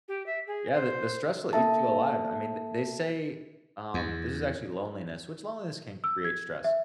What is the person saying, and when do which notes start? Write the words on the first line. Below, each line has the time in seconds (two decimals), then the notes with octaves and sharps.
Yeah, the the stress will eat you alive. I mean, th they say, um, this is actually loneliness, which loneliness can create stress.
0.08 G4
0.26 E5
0.47 G#4
0.72 C5
1.53 A#3 A4 E5 A5
3.94 E2
6.04 E6
6.25 G#6
6.64 E5